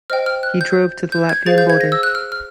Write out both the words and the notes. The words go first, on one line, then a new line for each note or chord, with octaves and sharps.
He drove to the Latvian border.
C5 D#5 G5 F6
F6
F#6
G6
G6
G#6
G#4 C5 F5 A6
G6
G#6
A#6
E6
F#6
F6
F6